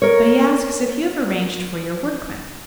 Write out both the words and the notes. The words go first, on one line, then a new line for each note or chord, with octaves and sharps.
But he asks if you have arranged for your workmen.
A#4 C#5